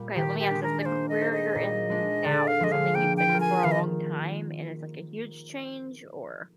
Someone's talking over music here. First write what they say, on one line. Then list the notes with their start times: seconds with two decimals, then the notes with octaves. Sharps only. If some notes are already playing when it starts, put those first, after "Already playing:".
okay, let me ask this, the career you're in now, is it something you've been in for a long time and it's, like, a huge change? Or
Already playing: A#2 G3
0.15 D#3 G4
0.39 G4
0.51 G#3 D4
0.63 A#4
0.81 D5
0.85 A#3 C5
1.09 D#5
1.21 D#4 G#4 C5
1.32 D#5
1.55 A#2
1.90 G#3 D4
2.25 D3 D5
2.47 F5
2.60 F3 G#3 D4 G#4 D#5
2.72 F5
2.94 A#3 G5
3.17 G5
3.29 F4
3.34 A#4
3.40 G#5
3.64 D#3 F5
3.72 D#5